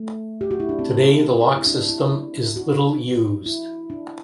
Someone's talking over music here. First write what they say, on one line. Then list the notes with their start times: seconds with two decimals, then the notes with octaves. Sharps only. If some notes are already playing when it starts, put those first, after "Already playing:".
Today, the lock system is little used.
Already playing: A3
0.41 G4
0.51 F#4
0.60 E4
0.69 D4
0.79 C4
1.56 E4
1.67 D4
1.90 E4
2.12 D4
2.56 F#4
3.46 E4
3.90 D4